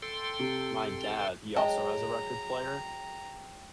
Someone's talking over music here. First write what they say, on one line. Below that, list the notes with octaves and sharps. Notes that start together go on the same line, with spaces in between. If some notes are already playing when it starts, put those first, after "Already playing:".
my dad, he also has a record player,
A4 G5 C6
C3
F#3 G#3 D#5 G5 A5 A#5